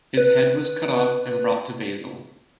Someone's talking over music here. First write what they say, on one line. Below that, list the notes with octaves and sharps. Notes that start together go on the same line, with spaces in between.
His head was cut off and brought to Basil.
B4